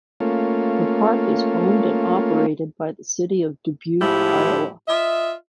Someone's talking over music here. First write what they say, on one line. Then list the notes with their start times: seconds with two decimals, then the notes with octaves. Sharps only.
The park is owned and operated by the city of Dubuque, Iowa.
0.20 A3 A#3 C#4 F4
4.01 A2 F3 G#3 E4 G4
4.88 F4 D#5 E5